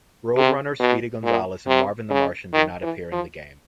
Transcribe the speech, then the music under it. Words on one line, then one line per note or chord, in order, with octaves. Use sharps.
Road Runner, Speedy Gonzales and Marvin the Martian do not appear in the game.
C3
B2
A#2
C3
C#3
D#3
E3
F3